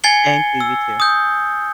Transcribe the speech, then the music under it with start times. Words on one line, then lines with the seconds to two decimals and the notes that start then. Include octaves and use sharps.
Thank you, you too.
0.04 G#5 G#6 A6 C7 C#7 G7
0.60 E6
1.00 D#6 G6